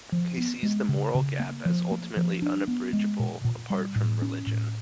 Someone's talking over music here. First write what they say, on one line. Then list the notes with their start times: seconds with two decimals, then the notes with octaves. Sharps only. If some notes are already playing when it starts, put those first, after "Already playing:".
He sees this "moral gap" as ultimately unbridgable apart from religion.
0.12 F3
0.38 B3
0.63 G#3
0.89 C#3
1.15 C#3
1.40 A#3
1.66 F3
1.91 A#3
2.17 F3
2.42 D4
2.68 B3
2.93 G#3
3.19 A#2
3.45 A#2
3.70 G3
3.95 A2
4.22 C#4
4.47 A2